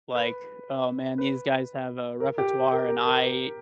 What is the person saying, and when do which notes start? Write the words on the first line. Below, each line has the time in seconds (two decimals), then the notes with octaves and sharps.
like, "Oh, man, these guys have a repertoire, and I
0.15 B4
1.18 B4
2.20 A#4
2.38 G4
2.72 A#4
2.88 A#4
3.06 A#4